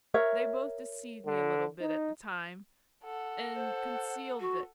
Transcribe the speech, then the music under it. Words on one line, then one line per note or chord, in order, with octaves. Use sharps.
They both deceived me a little bit at the time, and concealed it.
A#4 C#5 E5
D3
D#4
A4 F#5
C5
F#4